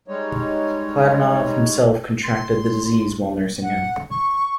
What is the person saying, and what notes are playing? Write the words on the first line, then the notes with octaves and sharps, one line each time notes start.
Platonov himself contracted the disease while nursing him.
G3 G#3 D#4 C#5
C6
F#5
C#6